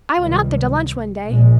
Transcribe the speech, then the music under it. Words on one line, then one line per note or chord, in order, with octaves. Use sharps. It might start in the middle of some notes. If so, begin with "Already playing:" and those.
I went out there to lunch one day.
C#2 C3 D#3 G3
A#1 A#2 G#3